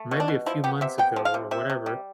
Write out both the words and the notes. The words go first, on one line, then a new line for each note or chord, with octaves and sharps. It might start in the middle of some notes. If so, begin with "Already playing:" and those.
or maybe a few months ago or whatever.
Already playing: A3
B2
D4
B2
F3 E4
B3 G4
C3 E5
B3 G5
F3
F5
C3
C3 E5
C3
G3